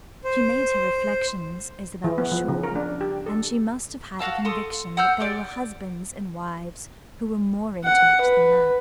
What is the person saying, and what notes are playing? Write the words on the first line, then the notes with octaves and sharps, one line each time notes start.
She made her reflexions, Isabel was sure; and she must have had a conviction that there were husbands and wives who were more intimate than that.
C5
E3
B3
F3
C#3
A#4
D4
G4
A4
F#4 F5 A5 E6
A4 C6 D#6
F#5 E6 F6 G6
G4 D5
F#5
B4